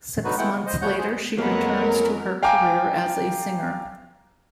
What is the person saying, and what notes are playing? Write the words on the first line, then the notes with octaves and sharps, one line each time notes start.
Six months later she returns to her career as a singer.
D3 F#3 D#4 F#4 B4
G#3 A3 B3 E4 F#5 G5
C#3
C5 D#5
F3 G3 A3 C#5 F#5 G6
G#4 C5
F2 F#3 G#3 A#3 B3 A#4
F5 G5 G#5 A#5 D6